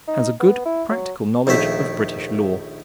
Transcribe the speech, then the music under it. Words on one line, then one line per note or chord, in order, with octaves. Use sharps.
Has a good practical knowledge of British law.
D#4
B3
E4
F#3
A#1 D#2 A3 E5